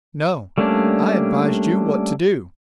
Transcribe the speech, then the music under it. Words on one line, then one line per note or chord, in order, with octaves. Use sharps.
"No, I advised you what to do!"
G3 A3 A#3 C#4 D4